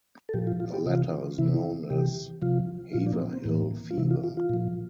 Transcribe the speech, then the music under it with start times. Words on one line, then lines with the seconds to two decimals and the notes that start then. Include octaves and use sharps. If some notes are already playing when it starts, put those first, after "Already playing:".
The latter is known as Haverhill fever.
0.29 A4
0.34 A#2 F3 G4
0.47 F4
0.60 F4
0.74 G4
0.86 C3 E3 F4
1.38 C3 E3 E4
1.90 C3 E3 G4
2.42 C3 F3 F4
2.93 A#2 F3 F4
3.07 D4
3.13 A#3
3.20 C4
3.33 C4
3.45 A2 E3 A#3
3.90 F4
3.97 C3 E3 E4
4.11 F4
4.24 F4
4.37 F4
4.49 A#2 F3